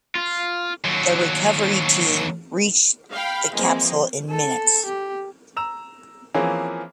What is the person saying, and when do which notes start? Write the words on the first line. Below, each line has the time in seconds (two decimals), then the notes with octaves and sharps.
The recovery team reached the capsule in minutes.
0.15 F4
0.84 D#2 F#3
3.12 F5 G5 B5
3.53 E3 F3 G#3 A#3 C4
4.30 A4
4.85 G4
5.57 A#5 E6 E7
6.34 E3 F3 A#3 C4 C#4 G#4